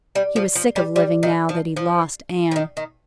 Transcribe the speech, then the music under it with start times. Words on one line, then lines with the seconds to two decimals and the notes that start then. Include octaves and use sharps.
He was sick of living now that he'd lost Anne.
0.15 G3
0.36 F3
0.55 F3
0.76 G3
0.96 G3
1.23 D#3
1.49 F3
1.76 F3
2.51 F3
2.56 D#3
2.77 D#3